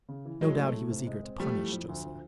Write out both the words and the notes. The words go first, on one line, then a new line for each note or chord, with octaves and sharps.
No doubt he was eager to punish Josiana.
C#3
E3
A2 F#3 G#3
A3
A2
C3
G#3
C4
F2 G3 A3
E3
F2
D2
F3